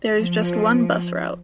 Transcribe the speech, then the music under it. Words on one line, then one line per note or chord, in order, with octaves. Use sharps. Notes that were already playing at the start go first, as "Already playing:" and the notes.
There is just one bus route.
F3